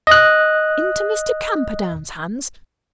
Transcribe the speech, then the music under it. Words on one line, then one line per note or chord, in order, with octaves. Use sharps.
"Into Mr. Camperdown's hands!"
D#5 F#6